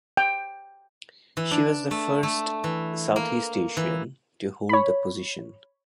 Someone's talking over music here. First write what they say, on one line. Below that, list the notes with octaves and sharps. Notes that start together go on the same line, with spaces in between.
She was the first Southeast Asian to hold the position.
G5
E3
D4
A3
A3
E3
A#3
E3
C#5 B5